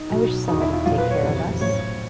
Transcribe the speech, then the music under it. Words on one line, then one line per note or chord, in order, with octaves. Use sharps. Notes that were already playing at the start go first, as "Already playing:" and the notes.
I wish somebody'd take care of us.
Already playing: D#4
B1 B2
E2 B2 D#4
E4
F4
B1 A#2 F3 F4
B4
C#5
F#1 F2 C3 E3
A1 A2 F3 C#5